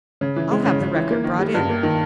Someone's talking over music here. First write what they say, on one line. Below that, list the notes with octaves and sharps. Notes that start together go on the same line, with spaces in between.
"I'll have the record brought in."
C#3
E3
G#3
C#3
C#3
E3
A#3
D#3
G3
G2
A#3
D#3